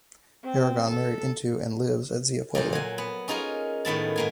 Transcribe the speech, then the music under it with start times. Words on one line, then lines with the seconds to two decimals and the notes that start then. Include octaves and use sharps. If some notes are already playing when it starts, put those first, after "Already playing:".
Aragon married into and lives at Zia Pueblo.
0.44 C4
0.89 A4
2.55 F2 A#2 C5
2.73 F#3 G#5
2.98 B3
3.28 C#4 D#4 F4 G#4 A#4
3.85 A2 D#3 B3 A5
4.16 G#2 A#3 G#5